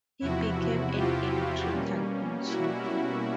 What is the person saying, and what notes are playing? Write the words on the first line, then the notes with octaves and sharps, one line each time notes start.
He became an electrical engineer.
E2 C3 F3 E4 F#4
F4 G4
B2 G3 A#3 C#4
E4 F#4
E4